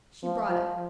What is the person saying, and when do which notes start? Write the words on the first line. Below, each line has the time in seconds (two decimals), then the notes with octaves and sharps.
She brought it.
0.23 F3
0.52 F3